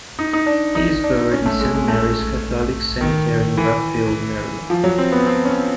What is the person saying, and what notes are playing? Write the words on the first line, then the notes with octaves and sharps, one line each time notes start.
He is buried in Saint Mary's Catholic Cemetery in Rockville, Maryland.
D#4
D#4
D4
D#4
D4
C#4
A3
G#3
G#3
A3
D#3
E3
F3
F#3
C4
B3
C4
C#4